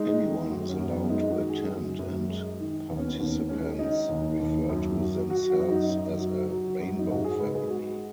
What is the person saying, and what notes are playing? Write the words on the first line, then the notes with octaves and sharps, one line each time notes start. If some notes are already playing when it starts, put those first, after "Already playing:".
Anyone is allowed to attend and participants refer to themselves as a "Rainbow Family".
Already playing: G#3 D#4
D#3
F#2 F#4
C#4
F#2
B3
G#3 D#4
F#4
D#3
G#4
F#2
F#2
G#3
D#3
D#2 B3
C#4
B3
D#2
G#3 C#4
D#3 D#4
D#2
D#2
F#2
F#3
F#3 F#4
F#4
F#2
D#4
F#2
F#3
F#3
F#2
D#4
G#2 F#4
G#4
G#3 B4
G#4
G#3 F#4